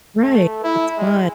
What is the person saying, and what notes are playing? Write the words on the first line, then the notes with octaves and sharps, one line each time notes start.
Right. It's fun.
A3
E4
G#3